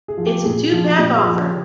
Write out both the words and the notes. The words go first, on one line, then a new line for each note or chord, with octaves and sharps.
It's a two-pack offer.
G#4
F3
G4
A#2 G#4
F3
A#2 G4
G#4
F3
G4